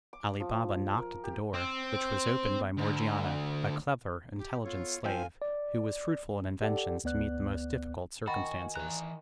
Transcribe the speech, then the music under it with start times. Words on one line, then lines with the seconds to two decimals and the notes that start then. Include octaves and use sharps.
Ali Baba knocked at the door, which was opened by Morgiana, a clever, intelligent slave, who was fruitful in inventions to meet the most difficult circumstances.
0.13 D6
0.40 F3
0.98 A#4
1.24 G4
1.54 C4
2.78 D2
4.38 G4
4.65 B3 F4 A4 C#5
5.04 G2 F3 C4 C5 F5 G5 G#5
5.42 D5
6.62 G4 A4 D5 F#5
7.04 D2 B3 D5 F#6
8.27 D#3 F#4 F#5 G#5 B5 A6
8.76 E3 A#5 F#6